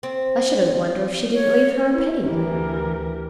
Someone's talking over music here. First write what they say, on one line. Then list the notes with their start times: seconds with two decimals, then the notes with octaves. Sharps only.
I shouldn't wonder if she didn't leave her a penny.
0.03 C4
1.33 C#5
1.92 E4
2.23 D2 E3 G4 A#4